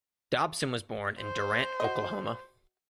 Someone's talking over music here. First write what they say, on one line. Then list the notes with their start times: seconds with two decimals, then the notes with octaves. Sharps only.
Dobson was born in Durant, Oklahoma.
1.20 C5
1.80 F#4 D#5